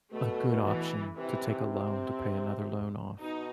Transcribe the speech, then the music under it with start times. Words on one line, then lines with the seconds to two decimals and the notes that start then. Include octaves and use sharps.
a good option to take a loan, to pay another loan off.
0.13 B2 A3
0.64 E3
1.16 C3 E3
1.66 C4
3.20 B2 D#4